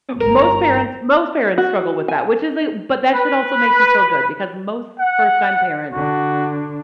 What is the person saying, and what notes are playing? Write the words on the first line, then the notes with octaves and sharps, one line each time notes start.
Most parents most parents struggle with that, which is a but that should also make you feel good because most first-time parents
G1 A#4 A#5
F#4
G#5
B4
F#5
D3 D4 F#4